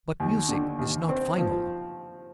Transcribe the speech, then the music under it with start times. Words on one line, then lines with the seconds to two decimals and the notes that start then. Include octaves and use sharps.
But music is not final.
0.20 D#2
0.49 D3
0.79 D#2
1.09 C4
1.38 F3